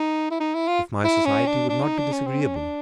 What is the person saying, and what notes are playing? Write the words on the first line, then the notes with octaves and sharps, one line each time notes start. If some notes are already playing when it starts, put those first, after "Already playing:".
"If my society would not be disagreeable."
Already playing: D#4
E4
D#4
E4
F4
E4
C#4
D4
D4
D#4
D4
C#4
C4
C#4
D4